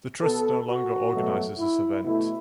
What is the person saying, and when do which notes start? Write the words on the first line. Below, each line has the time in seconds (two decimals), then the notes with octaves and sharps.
The Trust no longer organizes this event.
0.21 B2 B3 A4
0.67 F#4
1.13 B2 F#3 A3
1.58 E4
2.04 B2 A3 E4